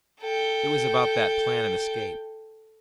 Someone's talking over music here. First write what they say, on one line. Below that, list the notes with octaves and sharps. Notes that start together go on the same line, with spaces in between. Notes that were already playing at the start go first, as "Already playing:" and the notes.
It was about that plan of escape.
A4 G5